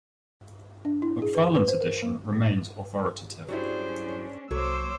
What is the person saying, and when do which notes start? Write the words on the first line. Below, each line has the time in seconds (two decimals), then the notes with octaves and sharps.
McFarlane's edition remains authoritative.
0.85 D4
1.02 E4
1.22 G#4
1.35 B4
1.55 B4
1.68 C5
1.81 A#4
2.02 A#3
3.49 F#3 G3 C#4 D4 E4 G#4 C5
4.51 C2 F#3 A#3 A4 C5 C#5 D6 E6